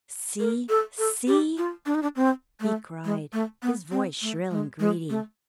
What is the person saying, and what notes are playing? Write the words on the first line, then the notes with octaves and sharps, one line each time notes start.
"See, see!" he cried, his voice shrill and greedy.
A#4
A4
A4
G4
F4
D4
D#4
D4
C4
A3
G#3
A3
B3
C4
A3
G#3
G#3
A3